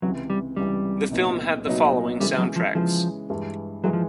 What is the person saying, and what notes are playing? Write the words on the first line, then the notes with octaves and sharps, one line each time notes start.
The film had the following sound-tracks.
C#2 C3 E3 F#3
G3
C#2 C3 E3 G3
C2 A#2 F#3 B3 D#4
C2 A#2 F#3 B3 D#4
C#3 E3 G3 G#3
F#3
F3
C#3 E3 F3 G#3
G2 E3 G#3
E3 F#3 G#3
F3